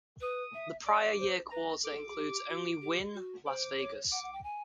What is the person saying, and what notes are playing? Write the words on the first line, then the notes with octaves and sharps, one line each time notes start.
The prior year quarter includes only Wynn Las Vegas.
B4 D#6
E5
D5 D6
C5
B4 A#5
A4 D6
G#4
G4
F#4
G4
F#4
C5 D6
C#5
F#5 D6
F#5
G5
G#5